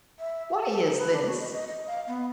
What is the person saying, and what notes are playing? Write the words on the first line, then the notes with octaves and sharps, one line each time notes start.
Why is this?'
E5
G4
A4
D#4
B4
D4
F#4
D#5
D#5
D#5
F5
B3